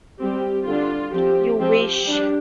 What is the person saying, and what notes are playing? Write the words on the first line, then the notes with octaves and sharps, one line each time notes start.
You wish!
G3 C4 G4
D3 G3 D4 F4
F3 C4 G4
F3 C4 G4
G3 D4